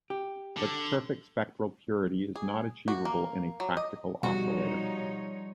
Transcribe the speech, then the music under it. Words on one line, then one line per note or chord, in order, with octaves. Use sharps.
Such perfect spectral purity is not achievable in a practical oscillator.
G4
D3
G#4
F#4
A#3
F#3
D#5
B2 F3 G3 D#4 F#4 C#5